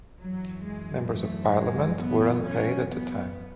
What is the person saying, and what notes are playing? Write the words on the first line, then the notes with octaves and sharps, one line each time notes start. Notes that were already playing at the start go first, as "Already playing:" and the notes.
Members of parliament were unpaid at the time.
F#2 E3 F#3
G#3
A3
G#3
B3
C#4
B3